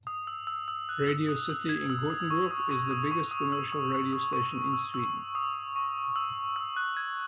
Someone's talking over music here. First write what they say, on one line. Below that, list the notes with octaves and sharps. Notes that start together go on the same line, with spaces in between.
Radio City in Gothenburg is the biggest commercial radio station in Sweden.
D#6
E6
E6
E6
F#6
E6
D#6
E6
G#6
E6
D#6
C#6
D#6
C#6
D#6
C#6
D#6
E6
D#6
C#6
D#6
C#6
E6
E6
D#6
C#6
E6
E6
F#6
G#6